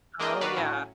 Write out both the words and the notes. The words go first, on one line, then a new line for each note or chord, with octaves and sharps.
Oh, yeah.
G#3 A#3 D4 A#4 D#5 G5
D#3 F#4 B4 D5 F5
A2 F#3 C#4